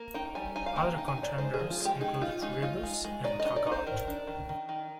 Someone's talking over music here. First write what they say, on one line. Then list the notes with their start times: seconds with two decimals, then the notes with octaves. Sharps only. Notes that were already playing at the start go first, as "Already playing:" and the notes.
Other contenders included "Rebus" and "Taggart".
Already playing: A#3
0.14 D#4 G5
0.35 G3 G#5
0.56 D#4 G#5
0.66 F5
0.76 A#3 G5
0.98 D#4
1.08 G#5
1.17 D#4
1.23 D5
1.38 G#3 C5
1.54 G#4
1.59 F3
1.70 F4
1.80 G#3 G4
2.01 D#4 G#4
2.21 D#4 F4
2.42 G#3 D#4
2.62 D#4 F4
2.83 G#3
3.04 G#3
3.24 D#4 D5
3.40 D#5
3.45 D#4
3.56 D5
3.67 D#4 C5
3.86 D#3 A#4
4.08 D4
4.27 D#3
4.49 D#3
4.69 D#3